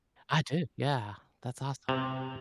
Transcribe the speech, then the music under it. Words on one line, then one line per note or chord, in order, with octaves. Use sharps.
I do, yeah, that's awesome.
C3